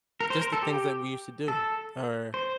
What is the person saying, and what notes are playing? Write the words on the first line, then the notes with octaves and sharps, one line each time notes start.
just the things that we used to do, or,
A#4
C5
A#4
A4
G4
A4
C5